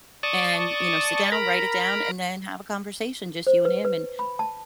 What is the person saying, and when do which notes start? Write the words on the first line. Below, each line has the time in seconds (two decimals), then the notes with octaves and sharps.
and you know, sit down, write it down, and then have a conversation, just you and him and
0.23 D5 A5 C#6 D#6
1.32 A#4 A#5 B5
3.47 C5
3.65 B4
3.85 B4
4.19 B5
4.39 A5